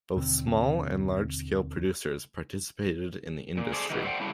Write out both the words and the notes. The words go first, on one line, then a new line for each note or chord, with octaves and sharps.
Both small- and large-scale producers participated in the industry.
D#2 B2 D3 C4
A#2
G#4 A4 C5 D5
D#3 E3 G3 D#4 F#4 B4
A4 C5 D5 F#5 G5
C#3 F#3 G3 E4 G4 A4